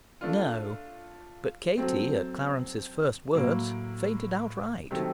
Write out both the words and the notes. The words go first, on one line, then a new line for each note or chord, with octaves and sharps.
No. But Katie, at Clarence's first words, fainted outright.
A3 D4 F4
F#3 A3 C4
A2 F#3 A#3
C3 D#3 F#3 A3